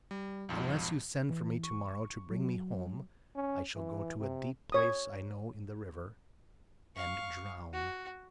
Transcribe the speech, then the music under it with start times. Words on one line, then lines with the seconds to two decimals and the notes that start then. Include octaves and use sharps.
Unless you send for me to-morrow to bring me home I shall go to a deep place I know in the river and drown.
0.11 G3
0.49 B1 F2 G#2 F3
1.30 E3
1.63 C#6
2.30 F#3
3.35 C#4
3.75 E3
4.20 C3
4.72 C#5 D#6
6.95 F5 C#6
7.73 F#4